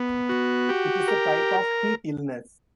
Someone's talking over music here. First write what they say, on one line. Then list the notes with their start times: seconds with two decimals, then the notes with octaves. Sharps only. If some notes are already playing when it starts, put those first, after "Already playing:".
It is a type of heat illness.
Already playing: B3
0.29 F#4
0.69 G4
1.08 A#4